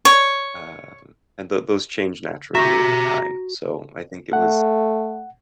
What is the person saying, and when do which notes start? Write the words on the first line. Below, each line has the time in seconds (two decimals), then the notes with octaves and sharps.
um, and those those change naturally over time, so I think it was
0.05 C#5
2.55 F#4 G4 E5 A#5 A#6
4.33 A3 F#5